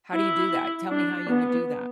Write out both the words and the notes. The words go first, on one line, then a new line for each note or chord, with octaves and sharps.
How do you do that? Tell me how you would do that.
E4
D4
B3